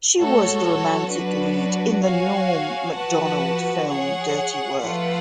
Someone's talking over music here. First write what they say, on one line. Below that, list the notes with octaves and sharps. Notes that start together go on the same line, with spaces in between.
She was the romantic lead in the Norm Macdonald film "Dirty Work".
A3 F#4 A4 C#5
G#3
F#3
D4 F#4 B4
F#4 C#5 F5 G#5
F3 F#4 B4 F#5 A5
G#4 C#5 F#5
F3 A3 F4 B4 F#5